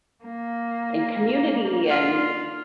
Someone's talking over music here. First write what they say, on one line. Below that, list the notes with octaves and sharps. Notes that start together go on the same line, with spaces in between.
in community, and
A#3
F4